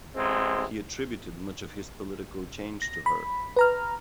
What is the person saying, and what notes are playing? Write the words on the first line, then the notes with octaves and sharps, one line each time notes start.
He attributed much of his political change to her.
A1 G#3 C4
A#6
B5
B4 A#5 F6